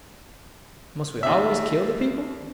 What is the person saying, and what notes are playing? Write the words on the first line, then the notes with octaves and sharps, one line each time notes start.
"Must we always kill the people?"
D#2 E5